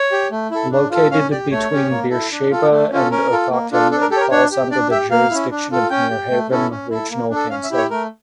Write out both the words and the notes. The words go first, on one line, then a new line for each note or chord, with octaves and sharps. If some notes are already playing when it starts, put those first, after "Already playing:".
Located between Beersheba and Ofakim, it falls under the jurisdiction of Merhavim Regional Council.
Already playing: C#5
G4
A3
E4 A4
D4
F4 A4
C#4 F5
G4 D5
A3 C#5
C#4 G4
A#3
E4 A4
D4
F4 A4
A3
C#4 F4 A4
C#4 A#4
F4 A4
A#3
D4 F4 A4
D4 A4
A#4
G4 A4
C#5
A#4
D4 C#5
G4
D4 D5
G4 E5
A#3 F5
C#4 E4
D4
F4 A4
C#4 G5
G4
A3
C#4 E4 A4
C#4
E4 A4
A#3
D4 A4
C#4 F5
E5
E4 G4
C#5
A3 A#4